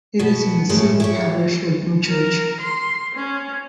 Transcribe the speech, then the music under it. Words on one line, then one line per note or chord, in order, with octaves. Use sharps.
It is in the civil parish of Newchurch.
B2 B3
A2 G#3 A3 C#4
E4 G4 C#5
A#4
C6
C#4